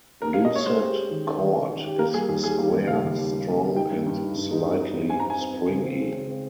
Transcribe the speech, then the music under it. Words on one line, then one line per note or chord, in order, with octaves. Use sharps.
Lucet cord is square, strong, and slightly springy.
G4 A#4
G#3 F5
D#5
C#4 C#5
G#3 C5
G4
G4
D#3
C#4
D#3
C#4
D#3
G4
A#3 A#4
G3 G#4
D#2 G#4
G3 G#4
A#3
D#2
C#3 F5
D#2
G3
A#3
G3
G3
D#4 G5
G2
G2
D#4
G2
D#4
G2
D#4
C4
G2 G#5
C4 A#5
G#5
C4
C4
C#3
C4
G#3
C#3
C4